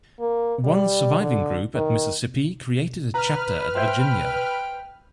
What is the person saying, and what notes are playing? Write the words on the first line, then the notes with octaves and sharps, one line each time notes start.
One surviving group at Mississippi created a chapter at Virginia.
A#3
G3
D3
D#3
B4 A#5 F6
C5 E5 G5 G6